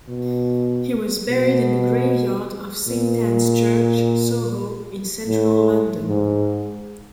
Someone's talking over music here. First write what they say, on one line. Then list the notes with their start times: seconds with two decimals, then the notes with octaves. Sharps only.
He was buried in the graveyard of Saint Anne's Church, Soho in central London.
0.08 B2
1.28 B2
2.88 A#2
5.27 A2
6.07 G#2